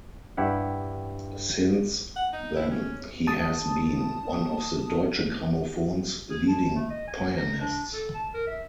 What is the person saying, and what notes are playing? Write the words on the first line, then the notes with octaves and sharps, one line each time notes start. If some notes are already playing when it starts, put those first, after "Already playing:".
Since then he has been one of Deutsche Grammophon's leading pianists.
G2 E4 G4 F#5
F#5
D#4
E4
C#4
A5 D#6
G#4
A5
A3
D#5
G#5
A#5
D4
A4
A5
A#4
E5